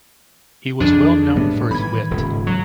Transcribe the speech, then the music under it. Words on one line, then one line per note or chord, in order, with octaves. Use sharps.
He was well known for his wit.
F2 D#3 D4 G#4
A2 G3 B3
A2 D#3 E3 B5 G#6
D#1 G#2 C#3
F#3